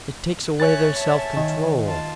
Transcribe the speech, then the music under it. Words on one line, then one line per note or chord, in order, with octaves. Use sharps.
It takes away their self-control.
C#5 E5 G#5 F#6 A6
E5 A5
D#3
F4 A5